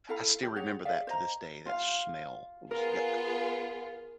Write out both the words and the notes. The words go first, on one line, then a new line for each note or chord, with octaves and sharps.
I still remember that to this day, that smell was yuck.
E4 A4 F5 B5
G4 C#5
G#4 C#5 F#5
G#4 D5 E5 F5
C5 D#5 A#5
F4 F5
B3 F4 G#4 A#4